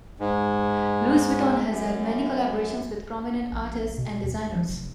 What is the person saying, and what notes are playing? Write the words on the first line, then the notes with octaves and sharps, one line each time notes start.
Louis Vuitton has had many collaborations with prominent artists and designers.
G#2
F#2
A#1
B2
D#2
F3
F1